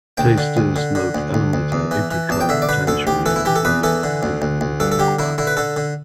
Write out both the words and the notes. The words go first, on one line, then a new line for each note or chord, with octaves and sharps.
Tasters note elements of apricot, tangerine, lemon, pineapple and guava.
D2 G5
D3
D2
D3
D3
D2
D2
D2
E2
E3
E3
E2 A5
G5
D3 E5
D5
D3 B4
D2 A4
D2 G4
E3 A4
E4
E3 G4
A4
E2 B4
E3 A4
D3
D2
D2
D2
G2 A4
A4
D3 G4
D3 E4
D3 E4
B4
D3 A4
D3